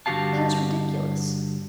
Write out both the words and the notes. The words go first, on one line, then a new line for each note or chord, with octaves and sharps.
That is ridiculous.
G2 D3 F#4 G4 F5 A5